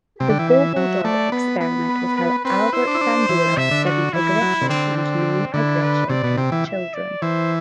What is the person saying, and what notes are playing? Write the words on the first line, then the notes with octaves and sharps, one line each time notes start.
The Bobo Doll Experiment was how Albert Bandura studied aggression and non-aggression in children.
C3 G5
D3
E3
E5
F#3
A3 D5
B3 B4
B3
B4
B4
C4 B4
E4 C5
D4
E4
D4
E3
C3 E5
D3
F#4
E3 E4
F#3
C3
D3 C4
C4
D3 E4
B4
C3 D5
B2
C3 G5
E3
E5
D5
E3 C5